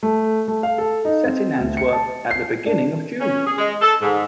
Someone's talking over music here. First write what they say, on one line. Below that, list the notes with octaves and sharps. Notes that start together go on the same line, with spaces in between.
Set in Antwerp at the beginning of June.
A3
A3
F5
A4
D#4
C4
D2
C#7
A5
C7
D4
C#4
G#4
G#3
A4
G#2